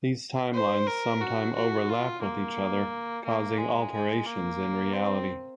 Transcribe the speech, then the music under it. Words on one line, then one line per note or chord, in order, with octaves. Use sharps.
These timelines sometimes overlap with each other, causing alterations in reality.
C5
A#4
F#4
F#4
F4
A#3
A#3
G#3
G#3
A#3
C4